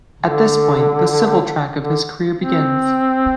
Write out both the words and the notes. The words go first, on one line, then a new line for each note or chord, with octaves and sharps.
At this point the civil track of his career begins.
D3
D3
C4